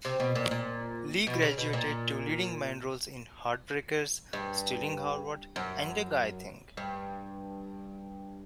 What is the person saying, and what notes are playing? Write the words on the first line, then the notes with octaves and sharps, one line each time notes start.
Lee graduated to leading man roles in "Heartbreakers", "Stealing Harvard", and "A Guy Thing".
C3
B2
A#2
A#2
B2
C#3
B2
A#2
G2
F#2
G2